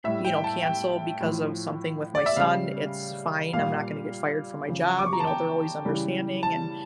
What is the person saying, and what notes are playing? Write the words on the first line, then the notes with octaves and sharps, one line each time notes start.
you know, cancel because of something with my son, it's fine. I'm not gonna get fired from my job, you know, they're always understanding, and,
A2 G3 E5
G5
A5
G5
A2 F3
D5
E5
C#3 G3 F5
A#2 G3 F5
C#3 F3
D6
C#6
A#5
A5
G5
C#3 E3 G3
A5